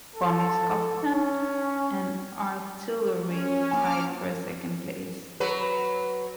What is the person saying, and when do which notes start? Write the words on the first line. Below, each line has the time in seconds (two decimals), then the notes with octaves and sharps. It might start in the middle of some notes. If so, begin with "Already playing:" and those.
Bonnie Scotland and Artillery tied for second place.
0.16 A4
1.08 C#4
3.27 C#4
3.71 A#3 G#5 D6 F6
5.40 F#3 B4